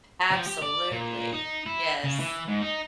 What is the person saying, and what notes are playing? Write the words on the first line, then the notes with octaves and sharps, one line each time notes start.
Absolutely, yes.
F3
G4
D5
A#2
D#4
E4
C#3
E3
G#2
D#4